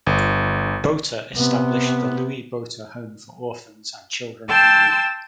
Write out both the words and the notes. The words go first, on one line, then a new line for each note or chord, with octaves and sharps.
Botha established the Louis Botha Home for Orphans and Children in Need.
G1
C3 B3
G5 A5 C6 E6